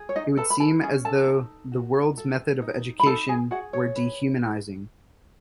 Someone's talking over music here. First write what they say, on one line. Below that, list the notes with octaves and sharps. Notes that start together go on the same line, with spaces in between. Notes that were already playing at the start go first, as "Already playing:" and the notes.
It would seem as though the world's method of education were dehumanizing.
Already playing: G#4
C#5
D#4 D#5
A4 B4 A5
B5
A4 A5
C#4 G#4 G#5
A4 A5
D#4
F#4
A4
D#4
B5
D#4 A4 A5
G#4 G#5
F#4 G#4 F#5
C#5
B4